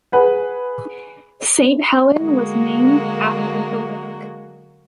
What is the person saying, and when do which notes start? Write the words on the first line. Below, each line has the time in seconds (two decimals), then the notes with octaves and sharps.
Saint Helen was named after the lake.
0.12 G#4 B4 F#5
2.19 D3 F#3 G#3 A#3 F#4